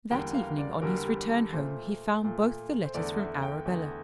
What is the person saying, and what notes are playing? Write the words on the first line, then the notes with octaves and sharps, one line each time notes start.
That evening on his return home he found both the letters from Arabella.
E2 D3 G3 A#3 G5
F5
D5
E2 D3 G3 A#3 A#4
G4
A4
A#2 A3 C5
A#2 A3
C5
E2 D3 A3 D5
E5
G5
E2 D3 A3